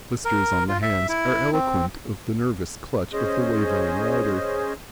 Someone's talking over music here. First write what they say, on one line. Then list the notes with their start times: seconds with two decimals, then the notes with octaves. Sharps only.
Blisters on the hands are eloquent of the nervous clutch of the wavering rider.
0.25 A#4
0.69 F4
0.82 E5
1.09 E4
1.53 C4
3.13 C#4 G#4 C5 D#5